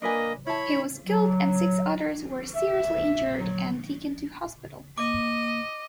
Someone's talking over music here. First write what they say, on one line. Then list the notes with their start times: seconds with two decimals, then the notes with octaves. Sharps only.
He was killed and six others were seriously injured and taken to hospital.
0.02 A#3 D4 B4 D#5 G#5
0.47 E4 C#5 A5 B5
1.06 F#3
2.56 E5
3.38 F#3
4.98 A#3 D#5 D6